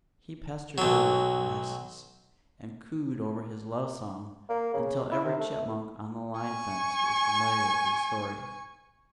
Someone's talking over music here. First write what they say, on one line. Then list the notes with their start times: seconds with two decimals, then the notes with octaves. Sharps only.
He pestered her with caresses and cooed over his love-song until every chipmunk on the line fence was familiar with his story.
0.78 B1 F#3
4.49 A#3
4.74 C#3
5.11 E4
5.25 C3
5.40 A3
6.40 G#5 C#6